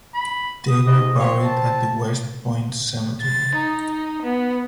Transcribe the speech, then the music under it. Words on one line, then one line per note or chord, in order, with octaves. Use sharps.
They were buried at the West Point Cemetery.
B5
D#6
G#2 D#5
C4 C#5
A5
A6
D#4
B3